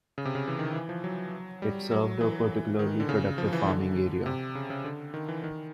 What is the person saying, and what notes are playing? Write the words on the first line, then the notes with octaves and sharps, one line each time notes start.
It served a particularly productive farming area.
C#3
C3
C#3
E3
D#3
E3
F3
F#3
G3
F#3
E3
D#3
D3
C#3
F3
E3
D3
C3
C#3
C#3
D3
D#3
E3
D#3